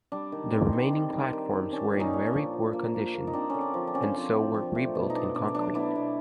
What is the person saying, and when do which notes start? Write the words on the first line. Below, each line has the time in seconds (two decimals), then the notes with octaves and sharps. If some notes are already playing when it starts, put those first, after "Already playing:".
The remaining platforms were in very poor condition and so were rebuilt in concrete.
0.12 G3 D4
0.32 D#3
0.52 C4
0.73 D#3
0.93 D#3
1.12 G3
1.33 D#3
1.53 D#3
1.72 C#4 D4
1.93 A#2
2.00 C#4 D#4
2.13 A#2
2.26 D4
2.33 F3
2.54 F3
2.73 A#3
2.94 A#3
3.14 A#3
3.27 D#4
3.33 C4 D4
3.50 D3 C#4
3.61 D4
3.74 F3
3.87 D4
3.94 C4 C#4
4.02 D4
4.15 F3
4.35 C4
4.54 F3
4.75 A3
4.95 B2
5.10 D#4
5.15 B2 D4
5.35 B2 D4
5.54 F#3 D4
5.75 B3 D4 E4
5.96 B2